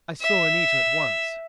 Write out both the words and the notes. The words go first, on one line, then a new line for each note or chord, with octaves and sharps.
I saw Anita at once.
E5